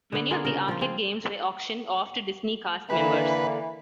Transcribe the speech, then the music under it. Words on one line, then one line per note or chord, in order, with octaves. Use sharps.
Many of the arcade games were auctioned off to Disney Cast Members.
D3 B3
A#3 B3 F4 G#4
C#3 A#4
F3 F4
C4 G#4
D3 E3 A#3 B4